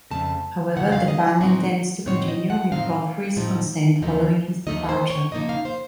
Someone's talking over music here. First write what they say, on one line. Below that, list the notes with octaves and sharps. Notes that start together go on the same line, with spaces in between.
However, the band intends to continue, with Godfrey's consent, following his departure.
F2 C#3 A3 A5
F2 C#3 A3 F#5
F5
D#5
A2 F#3 C4 D#4 F#4
A2 F#3 C4 D#4 C#5
D#5
F#5
A2 F3 C4 D#4 F5
A2 F3 C4 D#4
D#2 C#3 F3 A3 D#4
D#2 C#3 F3 A3 D#4 D#5
C5
C#5
C#3 F3 A#3 D#4 D#5
F5
C5